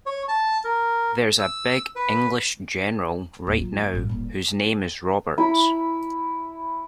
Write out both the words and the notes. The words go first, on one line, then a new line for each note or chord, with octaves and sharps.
There's a big English general right now whose name is Roberts.
C#5
A5
A#4
E6
B4
D#2 A2
F#3 F4
F#1
A1 G2
D#1 A#2
E4 B5